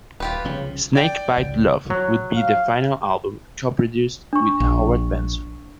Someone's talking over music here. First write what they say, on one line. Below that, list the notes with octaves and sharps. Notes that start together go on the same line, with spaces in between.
"Snake Bite Love" would be the final album co-produced with Howard Benson.
D#1 F4 G4 B4
C2 C#3 F3 C#4
D5 G5
C#2
F#3
F5
D4 C#6
A#1